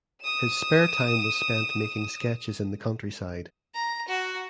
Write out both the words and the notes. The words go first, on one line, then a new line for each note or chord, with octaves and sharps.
His spare time was spent making sketches in the countryside.
D#6 E7
A#5
F#4